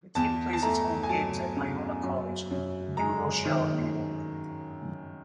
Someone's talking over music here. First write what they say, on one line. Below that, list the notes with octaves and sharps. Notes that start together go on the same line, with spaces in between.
The team plays its home games at Iona College in New Rochelle, New York.
E2 A5
A5
A3 A#5
G#5
F#3 A5
C#3
F#2
F#2
G#3 A#5
D#3